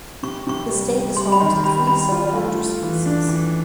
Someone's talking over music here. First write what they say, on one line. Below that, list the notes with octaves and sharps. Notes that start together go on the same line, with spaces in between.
The state is home to three salamander species.
C3 C#6
C3 C#6
G3
G3
G3 C6
B5
D#3 C6
G3 B5
G3 B5
F4
A3
F4
E3
D4
E3